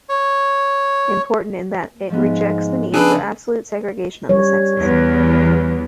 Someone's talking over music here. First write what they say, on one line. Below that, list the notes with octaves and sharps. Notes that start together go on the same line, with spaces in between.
Important in that it rejects the need for absolute segregation of the sexes.
C#5
G#2 F3 G#3 A3 B3
C#3 D4 G#4 A4 B4
G3 C#5
E2